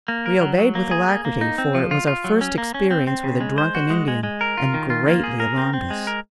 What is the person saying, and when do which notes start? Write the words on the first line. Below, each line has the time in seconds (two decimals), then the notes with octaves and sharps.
We obeyed with alacrity, for it was our first experience with a drunken Indian, and greatly alarmed us.
0.08 A#3
0.26 A#4
0.41 F#3
0.58 F#3
0.75 A#3
0.91 G#4
1.08 A#3
1.25 A#3
1.41 D#4
1.58 C4
1.75 F3
1.91 F4
2.07 F4
2.24 F#3
2.41 C#4
2.58 A#3
2.74 C#4
2.91 C4
3.07 C4
3.24 C#3
3.41 G#3
3.58 C5
3.75 F#4
3.90 G#3
4.08 G#3
4.23 G#3
4.41 A#4
4.57 F4
4.74 D#3
4.90 F4
5.08 A#3
5.24 G#4
5.40 A#4
5.58 C4
5.73 C4
5.90 G#3
6.07 A#4